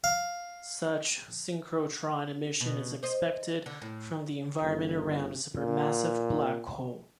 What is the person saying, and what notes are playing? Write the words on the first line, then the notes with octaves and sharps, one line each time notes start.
Such synchrotron emission is expected from the environment around a supermassive black hole.
F5
B2
C5 D#5
D3
A2
G1
A#2